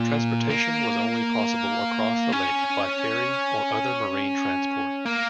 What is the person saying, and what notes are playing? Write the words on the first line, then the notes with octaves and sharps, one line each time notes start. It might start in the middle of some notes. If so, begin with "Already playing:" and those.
Transportation was only possible across the lake by ferry or other marine transport.
Already playing: A#2
A#3
C#4
A#3